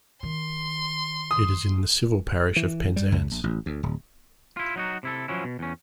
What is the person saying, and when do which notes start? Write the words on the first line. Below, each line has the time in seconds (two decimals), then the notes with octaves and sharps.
It is in the civil parish of Penzance.
0.23 D#3 C6
1.31 D#6
2.56 E3
2.96 G3
3.12 C#2
3.31 A#1
3.44 A1
3.66 D2
3.83 D1
4.57 E4 F4
4.76 F#3 D#4 F#4
5.03 C3 E4 A4
5.28 F3 F#3 C#4 E4
5.44 B2
5.59 E2 C#4